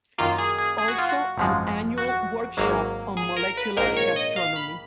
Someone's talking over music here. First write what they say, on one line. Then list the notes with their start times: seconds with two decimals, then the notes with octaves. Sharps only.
Also an annual Workshop on Molecular Gastronomy.
0.18 F#2 D#3 A#3 F4
0.38 G#4
0.58 G#4
0.78 G#4
0.88 F#4
0.98 F4
1.09 F#4
1.37 G#1 F#2 F3 G#3
1.98 F#4
2.57 G#1 G#2 F#3 A#3
3.17 G#4
3.37 A#4
3.57 B4
3.77 A#1 G#2 D#3 A#3 A#4
3.97 C#5
4.16 D#5
4.36 F5
4.56 B5